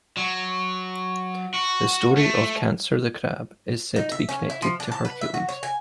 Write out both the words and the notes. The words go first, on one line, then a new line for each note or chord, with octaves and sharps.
The story of Cancer the Crab is said to be connected to Hercules.
F#3
F#4
A3
D#4
E5
C#4
E4
F3
D4
A5
B4
E5
F#4
C#5
G#5